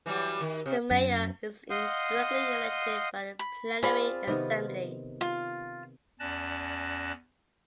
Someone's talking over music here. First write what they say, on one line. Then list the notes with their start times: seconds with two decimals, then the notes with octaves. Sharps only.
The mayor is indirectly elected by the plenary assembly.
0.06 E3 F#3 G3
0.41 D#3
0.66 C3
0.91 F#2
1.70 D#5 F5 F#5 C6 D#6 G6
3.39 B5
3.83 C4 F4 G#4 D5 B5
4.27 C3 D#3 B3
5.21 F4
6.20 E2 C#4 D5 A5 F#6 A#6